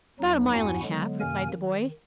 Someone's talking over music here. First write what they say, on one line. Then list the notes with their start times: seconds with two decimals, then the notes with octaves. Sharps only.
"About a mile and a half," replied the boy.
0.20 E2 F#3 D#4
0.53 E2 G2 E4 F#4 F#5 G#5
0.84 D3 F#3 G#3 B3
1.20 F#2 C3 D#3 A#3 G#5 F6
1.54 D#3